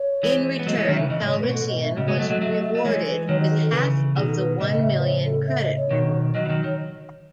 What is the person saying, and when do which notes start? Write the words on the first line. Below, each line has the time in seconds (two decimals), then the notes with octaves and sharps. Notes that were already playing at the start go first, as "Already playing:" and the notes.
In return, Calrissian was rewarded with half of the one million credit reward.
Already playing: C#5
0.23 E3 G#3
0.59 B3
0.66 F#3 A3 D#5
0.77 E3 G#3 C#5
0.88 D#3 F#3
0.95 C#3 E3 E5
1.10 C#3 E3 D#5
1.21 A2
1.25 C#5
1.32 A2
1.40 G#2 B2 B4
1.54 A4
1.68 D#5
1.82 E5
1.97 A2 C#3 D#5
2.08 G#3 B3 C#5
2.19 F#3 A3 D#5
2.30 F#3 A3 D#5
2.41 F#3 A3 E5
2.52 D#5
2.63 E5
2.75 A3 D#5
2.85 E3 G#3 C#5
3.07 B4
3.29 D#3 F#3 C#5
3.40 D#5
3.50 G#4
3.62 A4
3.72 C#3 E3 B4
4.16 B2 D#3 G#4
4.29 A4
4.38 B4
4.60 A2 C#3 D#5
4.70 D#5
4.81 E5
4.92 D#5
4.99 B4
5.03 C#5
5.25 A4
5.47 E5
5.62 D#5
5.77 C#5
5.91 B2 D#3
6.34 D#3 F#3 D#5
6.46 E3
6.49 D#3 F#3
6.64 D#3 C#5